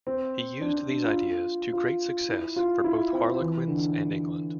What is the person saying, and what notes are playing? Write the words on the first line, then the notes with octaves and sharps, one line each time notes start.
He used these ideas to great success for both Harlequins and England.
C4
D4
D4
D4
F4
F4
E4
F4
E4
C4
E3
D3